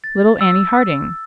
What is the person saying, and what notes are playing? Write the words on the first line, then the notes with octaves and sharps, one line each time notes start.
"Little Annie Harding."
A6
E6